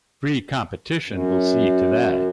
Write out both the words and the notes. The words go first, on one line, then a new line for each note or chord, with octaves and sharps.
Free competition will see to that.
F#2